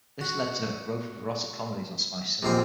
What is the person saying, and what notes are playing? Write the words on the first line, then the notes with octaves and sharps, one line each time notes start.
This led to a growth of erotic comedies on Spanish cinema.
F#4
A#1 D#2 A#3 C4 G5 G#5